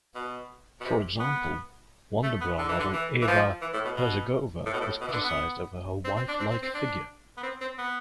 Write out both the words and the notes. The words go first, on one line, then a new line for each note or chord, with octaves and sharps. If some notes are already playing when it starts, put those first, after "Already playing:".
For example, Wonderbra model Eva Herzigova was criticized over her waif-like figure.
B2
B2
C3
B3
A3
B3
D3
E3
D3
E3
E3
F3
E3
A2
B2
B2
A2
B2
A2
B2
E3
D3
B3
C4
C4
D4
C4
C4
C4
D4
B3
C4
C4
B3